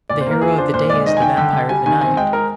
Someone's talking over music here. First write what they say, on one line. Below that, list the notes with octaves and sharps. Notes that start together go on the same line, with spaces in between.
The hero of the day is the vampire of the night.
A#2 D5
C5
A#3 A#4
F4 G#4
D4 C5
A#2 C5
G#3 D5
D#3 D#5
G#5
D#3 G5
D3 G5
D3
G3 G#5
D#3 G#5
C4 G#5
G#3 G5
G#3 A#4